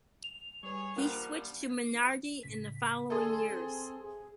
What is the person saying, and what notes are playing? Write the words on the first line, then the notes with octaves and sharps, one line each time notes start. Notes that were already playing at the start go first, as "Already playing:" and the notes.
He switched to Minardi in the following years.
F7
G3 G#4 B4 C#5
F3 G3 A#3 D4 F#5 F6 F#6
A2 C#3 B6
D3 G#4 A4 E5 C6 D#6
C4
G#4